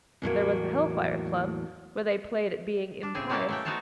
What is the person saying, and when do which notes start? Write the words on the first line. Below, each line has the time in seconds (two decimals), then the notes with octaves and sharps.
There was the Hell-fire Club, where they played at being impious.
0.22 E2 A2 F#3 A#3
3.03 D4
3.15 A2 C#3 C4 G#4
3.29 B2 A#3 C#4 E4 G5 A5
3.49 G#3 A3 G5
3.65 B3 D#4 F#4 C5 C#5 A5